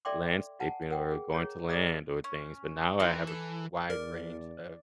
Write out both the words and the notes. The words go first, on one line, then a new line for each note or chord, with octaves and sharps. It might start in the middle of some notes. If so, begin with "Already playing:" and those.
landscaping or going to land or things. But now I have a wide range of
A4 D5 E5 G5 C6 D6
F#5 G#5 A5
A#4 F#5 G5
G#4
G#4 C#5 A#5
G#4 D5 D#5 A#5 D#6
C#4
E3 C4 A#4
A4
E2 A#4 D5